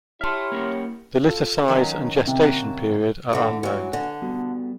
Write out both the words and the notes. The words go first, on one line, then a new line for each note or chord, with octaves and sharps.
The litter size and gestation period are unknown.
E4 G4 C#5 E5 A5 C6 F6
A#3 C#4 A#4
F4 A4
D#3 F#3 C#4
C3
A#3 F#4 A5
D3 E3 A4
E3 F#3 G#3 F#4
D3 G#5
G3 B3 F#4